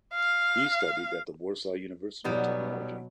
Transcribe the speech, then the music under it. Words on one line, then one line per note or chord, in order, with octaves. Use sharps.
He studied at the Warsaw University of Technology.
F5
B2 F#3 G3 B3 D#4